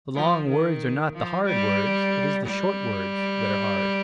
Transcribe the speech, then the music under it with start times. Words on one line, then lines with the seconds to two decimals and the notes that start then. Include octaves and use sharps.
The long words are not the hard words, it is the short words that are hard.
0.15 F3
0.48 D#3
1.14 F3
1.46 G3
2.46 G3